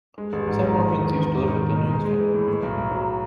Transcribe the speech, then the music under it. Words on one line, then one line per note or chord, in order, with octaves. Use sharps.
Some orphans used to live with the Nunes family.
G#3
A1
G#2
G#2
E2
D#3
E2
E2
G#2
D#3
G#2
D#4
G#3
G#3
E3
A2
A2
B1
B1
F#3